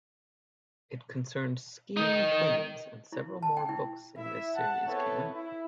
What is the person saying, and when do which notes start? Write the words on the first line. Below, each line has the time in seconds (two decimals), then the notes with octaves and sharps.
It concerned scheming twins and several more books in this series came out.
1.97 D#3 D#4
3.12 E4
3.43 A5
3.57 G5
3.69 E4
4.17 E4 E5
4.55 F#5 A5
4.87 B3 C4 E4 A4 B4 C#5
5.33 E4